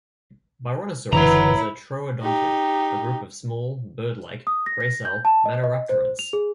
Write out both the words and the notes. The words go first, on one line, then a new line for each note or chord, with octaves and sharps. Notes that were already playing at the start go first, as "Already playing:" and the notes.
"Byronosaurus" is a troodontid, a group of small, bird-like, gracile maniraptorans.
F#1 D3 E3 F#3 E4 B4 C#5 A#5
D#4 G4
D#6
A#6
A#6
G6
A5
D#5
D#5
C5
F7
G#4